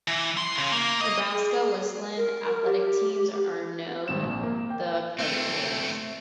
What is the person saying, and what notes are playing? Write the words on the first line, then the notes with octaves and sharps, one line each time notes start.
Nebraska Wesleyan athletic teams are known the Prairie Wolves.
E3
C6
C#3
A#3
D#5
G#4
A#4
G4
G#1 C4 E7
A#1
A#3
G5
A3 C4